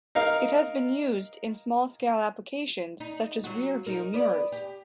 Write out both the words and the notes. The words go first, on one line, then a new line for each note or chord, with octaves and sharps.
It has been used in small-scale applications such as rear-view mirrors.
D#4 A#4 F5
D#4
F#3 F4 F#4
D#4 A#4
B3 D5
G4